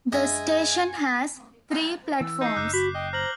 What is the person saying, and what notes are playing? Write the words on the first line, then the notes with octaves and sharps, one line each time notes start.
The station has three platforms.
F#2 G#3 D4 D#5 E5 F#5 G#5
E3 E6
D#4 G6 C7
F#1 D6 F#6 G6
F#4 B5
D#5 G5
C5 A#5 F6 F#7